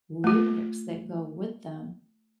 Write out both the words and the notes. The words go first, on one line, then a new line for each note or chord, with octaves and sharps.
lyrics that go with them,
A3 F4